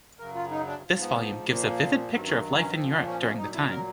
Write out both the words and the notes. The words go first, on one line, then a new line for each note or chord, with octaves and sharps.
This volume gives a vivid picture of life in Europe during the time.
F#2 C#3 F#3 A#4
F4
D#4
D4
G#2 F3
B3
A#2 F3 A#3
G2 D#3 F#3 C4
C#4
C4
C#4
A#2 F3 C4
C4
C#4
C#4
A#2 F#3 D#4
E4
A#4